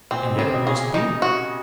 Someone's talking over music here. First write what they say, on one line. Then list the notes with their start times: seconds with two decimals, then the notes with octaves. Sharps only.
And yet it must be.
0.11 A#2 C4
0.25 B2
0.34 C#3
0.39 C3 C4
0.53 B2
0.66 A#2 G#4
0.94 D#4
1.22 F#4